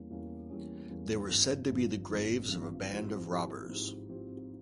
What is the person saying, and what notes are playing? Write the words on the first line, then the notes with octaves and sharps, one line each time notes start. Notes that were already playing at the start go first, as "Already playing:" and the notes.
They were said to be the graves of a band of robbers.
Already playing: E2 E3 G3 A#3 C#4
E2 E3 G3 A#3 C#4
E2 E3 G3 A#3 C#4
E2 E3 G3 A#3 C#4
G#1 G2 F3
G#1 G2 F3
G#1 G2 F3
G#1 G2 F3
G#2 F3 C4 E4 G4
G#2 F3 C4 E4 G4
G#2 F3 C4 E4 G4
G#2 F3 C4 E4 G4